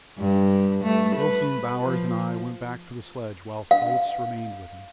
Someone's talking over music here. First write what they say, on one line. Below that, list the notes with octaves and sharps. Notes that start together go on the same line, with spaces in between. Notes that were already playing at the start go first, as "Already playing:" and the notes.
Wilson, Bowers, and I went back for the sledge, whilst Oates remained with him.
G2
A3
B4
F3
F5